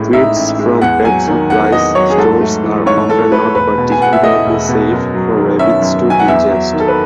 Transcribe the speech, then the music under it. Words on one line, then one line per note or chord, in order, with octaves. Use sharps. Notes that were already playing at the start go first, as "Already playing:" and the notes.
Treats from pet supplies stores are often not particularly safe for rabbits to ingest.
Already playing: A1 A2 G#3
D#4 E5
A1
G#3
E2 F#5
F#3 G#5
D#3
E2 F#5
E2 D#5
F#3 C#5
G#4
G#2 A4
A3
E3
G#2 C#5
G#2 A4
A3 B4
E1 B4
B2
G#5
E2 F#5
E5
A3 D#5
E1
B2
F#2
F#3
D#3
C#4 E5
F#2
F#3
G#5
F#5
E2 E5
F#3
D#3
A4
B4